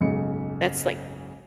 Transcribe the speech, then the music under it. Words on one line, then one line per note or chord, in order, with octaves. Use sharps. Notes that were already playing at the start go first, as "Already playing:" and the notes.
That's, like,
F#1 B1 G#2 C#3 C#7